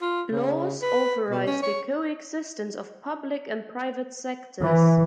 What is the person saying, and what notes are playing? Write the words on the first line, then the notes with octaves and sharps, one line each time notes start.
Laws authorize the coexistence of public and private sectors.
F4
C#3
B4
B2
C#4
C#5
E3